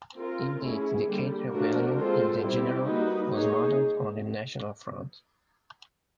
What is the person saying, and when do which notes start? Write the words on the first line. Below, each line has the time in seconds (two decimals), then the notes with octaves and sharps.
Indeed, the Cade rebellion in general was modelled on the National Front.
0.15 C4 F4 A#4
0.61 A3 C#4 E4 G#4
1.06 D3 G3 A#3
1.50 F3 A3 D4 F#4 A#4
1.96 G#3 C4 F4 A4 C5
2.41 G3 C4 E4 G4
2.85 G3 A#3 D#4 F#4 B4
3.31 A#3 D#4 G#4 C#5